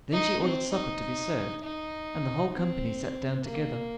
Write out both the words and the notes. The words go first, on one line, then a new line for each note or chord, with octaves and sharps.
Then she ordered supper to be served, and the whole company sat down together.
D#4
C4
D#4
D#4
C4
A#3